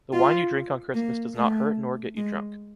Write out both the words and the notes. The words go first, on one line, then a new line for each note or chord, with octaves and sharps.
The wine you drink on Christmas does not hurt nor gets you drunk.
F4
A#3
A3
G#3